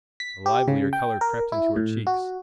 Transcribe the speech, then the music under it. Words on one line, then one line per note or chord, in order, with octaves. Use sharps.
A livelier colour crept into her cheeks.
B6
G4
C#3
G5
A#4
E4
A2
F#4